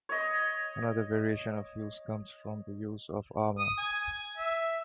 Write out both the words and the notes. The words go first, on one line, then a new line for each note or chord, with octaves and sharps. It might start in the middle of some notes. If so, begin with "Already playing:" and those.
Another variation of use comes from the use of armour.
C#5 D#5
D#6
G#5
E5